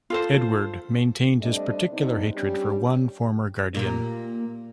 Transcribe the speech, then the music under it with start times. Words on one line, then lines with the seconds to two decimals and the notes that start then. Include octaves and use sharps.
Edward maintained his particular hatred for one former Guardian.
0.10 F4 A4 C5
1.41 G3 A3 C4 D4 D5 D#5
1.90 C3 B3 C4 D4 D#4
2.34 G3 C#4 D4 G4
3.75 A#2 A#3 G4